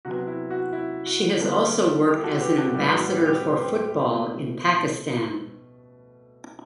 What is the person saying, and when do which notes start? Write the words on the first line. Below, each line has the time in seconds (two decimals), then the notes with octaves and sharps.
She has also worked as an ambassador for football in Pakistan.
0.05 C3 F#3 B3 F#4
0.27 E4
0.50 F#4
0.73 E4
1.06 F#4
1.40 D3 G3 B3
2.08 E4 G4
2.24 F#4 A4
2.41 G4 B4
2.57 F#4 A4
2.74 A2 G3 B3 E4 G4
2.92 F#4
3.08 G4 B4
3.25 G4 B4
3.42 B4
3.49 C5
3.56 G4 B4
4.10 B2 A3